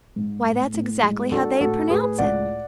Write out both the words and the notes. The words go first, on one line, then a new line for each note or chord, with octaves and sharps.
"Why, that's exactly how they'd pronounce it!"
G#2
A2
A2
G#3
D4 F#4 A4
A2 F#4 A4
A2 G#4 B4
C#2 D5 F#5